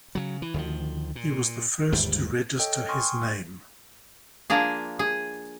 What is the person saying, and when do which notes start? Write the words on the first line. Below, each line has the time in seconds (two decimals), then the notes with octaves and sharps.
He was the first to register his name.
0.15 C#3 F#3
0.42 E3
0.54 D2 D#3 F3
1.16 A#2
1.92 G1 D#2 G#2 G3
2.59 A4 C#5 D#5 G5
2.89 G5 G#5 C6 C#6 D#6 F6
4.50 F3 A#3 D4 G#4
4.99 G#4